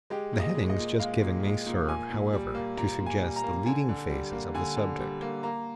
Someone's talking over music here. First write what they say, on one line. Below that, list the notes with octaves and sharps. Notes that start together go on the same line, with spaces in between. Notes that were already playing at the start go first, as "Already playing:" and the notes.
The headings just given may serve, however, to suggest the leading phases of the subject.
G#3 G4
A#2
D#5
G#3
D#5
A#2
G#3 F5
A#2
G#3
A#2
A#2 G#5
A#2
G3
A#3
A#2 A#5
A#2
G#5
G3
A#5
A#3
D3 G#5
D3
G3
A#3
D3 G#5
D3
G3
A#3
A#3 A#5